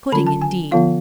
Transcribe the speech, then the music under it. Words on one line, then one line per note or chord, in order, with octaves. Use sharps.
Pudding, indeed!
D3 F#3 C#4 F4 B5
A5
G#5
D3 F3 B3 F4 F5